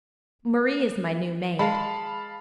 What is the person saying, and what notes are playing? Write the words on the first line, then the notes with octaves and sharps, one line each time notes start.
Marie is my new maid.
G#3 F5 A5 B5